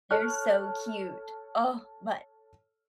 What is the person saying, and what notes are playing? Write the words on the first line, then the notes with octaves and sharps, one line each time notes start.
They're so cute. Oh, but
A4 C#5 F6 F#6